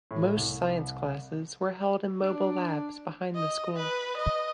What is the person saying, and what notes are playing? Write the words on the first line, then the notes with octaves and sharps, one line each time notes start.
Most science classes were held in mobile labs behind the school.
A2
C2
D4
D#5
B4
D#5